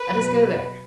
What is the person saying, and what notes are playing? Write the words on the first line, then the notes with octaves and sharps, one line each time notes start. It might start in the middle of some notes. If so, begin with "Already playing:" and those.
"Let us go there."
Already playing: B4
B2 F#3